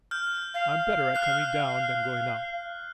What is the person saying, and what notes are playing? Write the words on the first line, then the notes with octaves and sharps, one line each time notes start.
"I'm better at coming down than going up."
F6 G6
F5
F6 F#6 C7